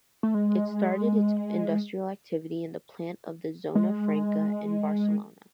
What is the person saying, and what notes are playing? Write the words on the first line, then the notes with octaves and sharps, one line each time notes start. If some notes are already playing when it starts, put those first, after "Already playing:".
It started its industrial activity in the plant of the Zona Franca in Barcelona.
A3
G#3
G#3